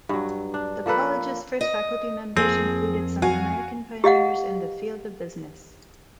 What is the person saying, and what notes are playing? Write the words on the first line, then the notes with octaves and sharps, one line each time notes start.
The college's first faculty members included some American pioneers in the field of business.
G2 F#3
D4
F3 A#3 A4 B4
D#5
F2 A#3 C4 G#4
F#4 F5 G#5
G4 D#5 F5 F#5